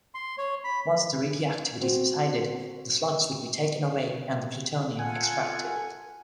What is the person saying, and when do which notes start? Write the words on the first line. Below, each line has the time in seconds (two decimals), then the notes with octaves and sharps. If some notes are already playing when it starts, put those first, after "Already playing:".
Once the radioactivity subsided, the slugs would be taken away and the plutonium extracted.
0.15 C6
0.38 C#5
0.64 B5
1.81 C4 F#4
4.99 F4 A4 F#5 G#5